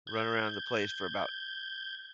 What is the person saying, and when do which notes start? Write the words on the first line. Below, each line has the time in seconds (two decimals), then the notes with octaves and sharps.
run around the place for about
0.07 G6 G#6